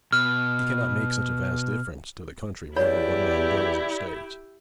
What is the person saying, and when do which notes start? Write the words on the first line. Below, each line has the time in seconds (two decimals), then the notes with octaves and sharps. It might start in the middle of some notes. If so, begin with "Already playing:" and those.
'It cannot make such a vast difference to the country whether one man goes or stays!
0.13 B2 F6
2.76 E2 E4 G4 C#5 D5 B5